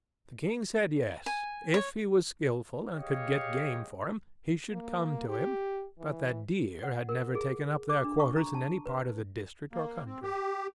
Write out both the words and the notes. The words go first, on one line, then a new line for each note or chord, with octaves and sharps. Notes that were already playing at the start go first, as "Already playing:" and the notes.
The king said yes, if he was skilful and could get game for him, he should come to him, but that deer had never taken up their quarters in any part of the district or country.
G#5
C#5
G4 G#4 C#5 D#5 F5
A#3
G4
E3
F#5
A#4
G#4
D6
D4
C#6
A#5
A5
B4
A#3
C4
G4